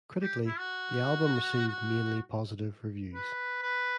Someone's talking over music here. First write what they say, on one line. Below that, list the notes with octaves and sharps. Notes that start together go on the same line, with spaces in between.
Critically, the album received mainly positive reviews.
G4
E4
F#4
F#4
B4
B4